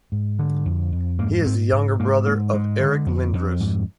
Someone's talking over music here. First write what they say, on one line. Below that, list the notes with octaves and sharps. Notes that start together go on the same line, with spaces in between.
He is the younger brother of Eric Lindros.
G#2
D3
F2
F2
G#2 A#3
G#2 C4
G#2
G#2 A#3
G#2 A#3
G#2 G#3
D3
F2
F2
G#2